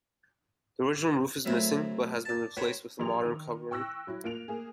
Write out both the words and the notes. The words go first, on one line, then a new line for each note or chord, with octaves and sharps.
The original roof is missing but has been replaced with a modern covering.
F#3 A3 C4 E4 A#4
D5 A5
B3 F#4 A#4 C5 C#5 G5
A#1 G3 A#3 F7
D#3
G5 C#6 E6 F#6 A#6
F#3 E4
A#3 F4 D7 F7
A#3 G#4